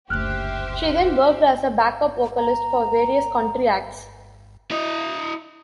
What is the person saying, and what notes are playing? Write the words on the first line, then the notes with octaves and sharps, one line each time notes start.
She then worked as a backup vocalist for various country acts.
F#1 D2 G4 C5 E5 F6 F#6
A#5
E4 D#5